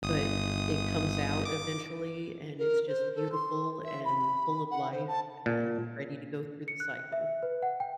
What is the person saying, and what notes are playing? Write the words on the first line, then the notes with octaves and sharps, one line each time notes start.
but it comes out eventually, and it's just beautiful, and full of life, and ready to go through the cycle.
G1 D#6
D6
A#4
C5
A4
C6
E5
B5
F#5
C5
A5
A#2
C#7
F#6
E5
B4
F#5
G5